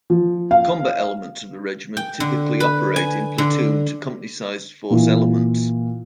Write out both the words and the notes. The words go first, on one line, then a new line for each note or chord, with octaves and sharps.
Combat elements of the Regiment typically operate in platoon to company sized force elements.
F3
F5
G5
D3
B4
G#5
D3
A#2 E3